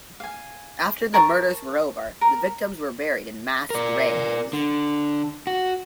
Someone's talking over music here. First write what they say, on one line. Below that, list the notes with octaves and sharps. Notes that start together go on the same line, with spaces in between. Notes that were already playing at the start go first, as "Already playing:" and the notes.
After the murders were over the victims were buried in mass graves.
F5 G#5
A#4 A5 C#6
A#4
A#4 D5
D3
F#4